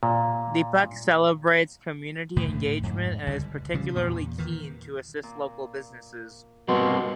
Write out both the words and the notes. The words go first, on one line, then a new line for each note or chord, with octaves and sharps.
Deepak celebrates community engagement and is particularly keen to assist local businesses.
A#2
D2 A2 D3 E3
F2 G#2
C#2 D3 G3
C#3 E3 F3 G3
E2 A#2
D#3 E3
A#2
B2 G3 A#3 C4 C6